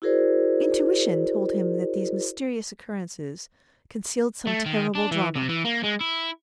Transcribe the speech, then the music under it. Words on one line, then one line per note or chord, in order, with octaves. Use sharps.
Intuition told him that these mysterious occurrences concealed some terrible drama.
E4 F#4 G#4 A#4 C5 D5
A3
D#3
D4
E3
C3
E3
A#3
G#3
E4